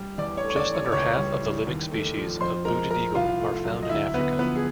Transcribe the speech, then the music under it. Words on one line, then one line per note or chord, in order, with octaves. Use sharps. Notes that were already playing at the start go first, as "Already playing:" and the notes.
Just under half of the living species of booted eagle are found in Africa.
Already playing: G3
E2 D5 D6
C#5 C#6
A3
C#6
D5 D6
E3
C#5 C#6
D6
C#2 C#5 C#6
G3
E3
D#2
A3
F3
F2 C5 C6
G#3 A#4 A#5
F3 A#4 A#5
C2 F4 F5
A3
F#3
D#5
D2 E4 E5
D2 B3 B4
F3 B3 B4
G#4